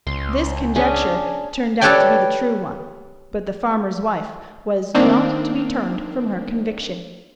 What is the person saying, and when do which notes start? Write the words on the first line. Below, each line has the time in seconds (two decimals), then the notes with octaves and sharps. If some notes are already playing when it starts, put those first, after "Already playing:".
This conjecture turned out to be the true one, but the farmer's wife was not to be turned from her conviction.
0.07 C#2 C6
0.76 C#4 D4 G#4
1.81 G4 A4 B4 C#5 D5 G5
4.95 D#3 A#3 C4 D4